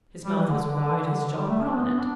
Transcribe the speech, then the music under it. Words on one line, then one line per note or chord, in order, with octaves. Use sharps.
His mouth was wide, his jaw prominent.
G3
E3
D3
D3
D3
E3
D3
D3
G3
A3
D4
B3
D4